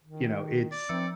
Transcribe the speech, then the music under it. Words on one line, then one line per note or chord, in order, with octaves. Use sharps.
you know, it's
D#3
D5
F3 C4 E6 C#7